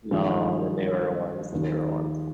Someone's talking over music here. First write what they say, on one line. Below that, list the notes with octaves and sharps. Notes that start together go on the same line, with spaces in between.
No, the newer ones, the newer ones.
G2 D#3 F3 G#3
D#2 D#3